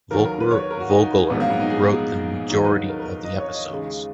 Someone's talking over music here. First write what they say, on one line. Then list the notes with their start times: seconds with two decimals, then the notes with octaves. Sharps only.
Volker Vogeler wrote the majority of the episodes.
0.11 D#2 D#3 F#3 A#4
0.25 A#4
0.40 B4
0.51 C#5
0.71 A#4
0.80 F#4
0.90 D#4
1.30 A#1 G#2 F#3 B3
1.40 A#3
1.50 B3
1.60 D#4
1.70 G#4
1.80 B3
2.50 D#2 D#3 F#3 D#4
2.65 B4
2.90 A#4
3.00 A#4
3.25 D#5
3.40 C#5
3.55 D#5
3.69 D#2 C#3 G#3